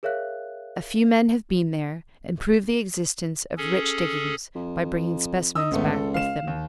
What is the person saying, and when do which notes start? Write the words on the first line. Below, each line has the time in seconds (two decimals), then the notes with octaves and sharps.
A few men have been there and proved the existence of rich diggings by bringing specimens back with them.
0.03 G#4 A#4 C#5 E5 F5 F#6
3.58 C#4 G#4 A4
4.55 F2
5.55 D#4 D#6 E6
5.71 G#1 C#2 A3 B3
5.92 A4
6.14 F5 E7
6.47 D#2